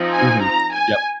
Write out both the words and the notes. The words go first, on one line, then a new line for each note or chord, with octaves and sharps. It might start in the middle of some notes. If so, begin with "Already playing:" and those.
Mhm, yep.
Already playing: F3 C4 D#4
G#5
A#5
G#5